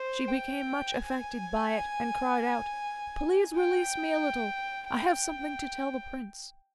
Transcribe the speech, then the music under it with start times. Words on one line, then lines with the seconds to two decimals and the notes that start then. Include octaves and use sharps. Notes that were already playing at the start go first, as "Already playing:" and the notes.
She became much affected by it, and cried out, "Please release me a little; I have something to tell the Prince."
Already playing: C5
0.28 G5
0.94 G#5
3.56 G5
4.87 G5